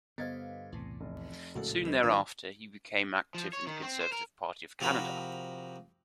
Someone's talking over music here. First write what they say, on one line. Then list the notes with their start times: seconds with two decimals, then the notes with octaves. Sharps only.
Soon thereafter he became active in the Conservative Party of Canada.
0.18 G2 D3 B3 C5 D#5 F5 G#6 A6
0.72 B1 E2 A2 C3
1.01 F1
1.55 A#1 A2 C#3 G#3 F#4 A4
1.84 D2 F3 G3 C4 B4 D#5
2.03 G#2 D#3 F#3 D4 F4 B4 D5 A#5
3.35 F3
3.53 C#5
3.67 D#3
3.82 C4
4.01 C5
4.12 A#4
4.80 C3 F3 F#4 A#4 B5